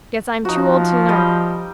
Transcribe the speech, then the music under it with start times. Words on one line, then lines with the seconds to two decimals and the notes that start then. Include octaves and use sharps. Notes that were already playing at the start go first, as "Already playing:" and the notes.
Guess I'm too old to learn.
0.45 F3 D#4 F#4
1.09 G3 D#5 G5